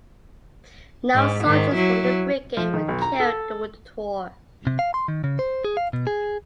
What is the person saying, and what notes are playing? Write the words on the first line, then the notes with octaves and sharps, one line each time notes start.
No soldiers from the brigade were killed during the tour.
G#2
G#2 D#3
F#3 E4
F3
D#3
B1
A#5
A4
C3
F5
C6
D#3
C#3
C5
G#4
F5
B2
G#4